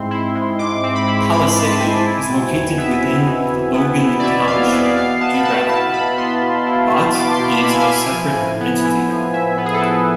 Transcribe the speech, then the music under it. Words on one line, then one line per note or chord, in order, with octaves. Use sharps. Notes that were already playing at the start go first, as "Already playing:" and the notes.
Palisade is located within Logan Township geographically but is a separate entity.
Already playing: G#2 G#3 C4 E4 C6
E4
G#3
G#2 D6
C4
B5
E4
G#3 B5
G#2 A5
C4 G#5
E4
B2
E2
B3 E5
E4
B2
E2
B3
E4
D5
B2 E5
E2 F5
B3 D5
B2 F5
B3 A5
B5
B2 A5
E4 A5
B2 B5
B3 C6
B2
E4
B2
B3 D6
C6
B2
B5
E4
G#5
F5
E4 G#5
F3
A2
B3
E4
F3
A2 E5
B3 B4
G#4
A4
E4 B4